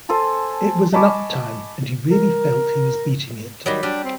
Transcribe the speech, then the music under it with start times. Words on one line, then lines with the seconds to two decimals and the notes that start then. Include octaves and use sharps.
It was an up time, and he really felt he was beating it.
0.09 A4 C5 G#5 A5
0.93 D#5 G#5 A5 B5 C#6 D6
2.11 A#4
3.66 D#3 F#3 G3 G4
3.83 G3 D4
4.05 C4